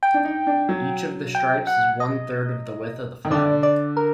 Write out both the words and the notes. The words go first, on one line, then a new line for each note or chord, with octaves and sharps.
Each of the stripes is one-third of the width of the flag.
G5
D4
D#4
D4
F#3
G5
F#5
D#5
D#3
D3 D5
D5
A#4